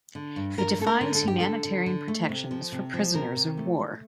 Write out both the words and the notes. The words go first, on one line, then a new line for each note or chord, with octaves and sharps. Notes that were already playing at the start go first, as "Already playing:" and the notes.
It defines humanitarian protections for prisoners of war.
D3
G2
G2 A#4
A3 A4
A#4
D3
A4
G2
G4
D3 A4
D3
D3
A3
C3
F3
C3
F3
C3 A#4
C3
A3
A3